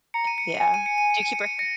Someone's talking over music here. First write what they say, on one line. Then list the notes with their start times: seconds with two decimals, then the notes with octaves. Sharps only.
Yeah. Do you keep her hair
0.14 A#5 C#7
0.27 D#7
0.38 C#7
0.50 D#7
0.60 G#5 C#7
0.74 D#7
0.86 C#7
0.98 D#7
1.10 C#7
1.23 D#7
1.35 C#7
1.46 D#7
1.59 A#6 C#7